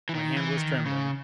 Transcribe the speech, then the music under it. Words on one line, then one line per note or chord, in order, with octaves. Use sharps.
My hand was trembling.
E3
D#3
E3
D#3
C#3